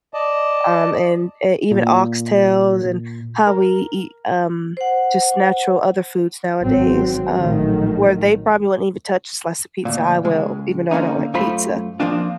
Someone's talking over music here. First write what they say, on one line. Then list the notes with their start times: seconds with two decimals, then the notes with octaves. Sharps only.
um, and, uh, even oxtails and how we eat, um, just natural other foods nowadays, um, where they probably wouldn't even touch a slice of pizza, I will, even though I don't like pizza,
0.14 D5 D#5 A5
1.71 A#2
3.47 A#4
4.77 C5 F#5
6.62 G#1 F#3 C4
7.37 A#1 A2 D#3 F#3 A3
9.85 D2 A#2
10.25 C#2 G#3
10.91 D3 A#3 C#4 D#4
11.34 F#2 A3 F4 C5 B5
12.00 F3 F#3 A#3 C4 D4 F4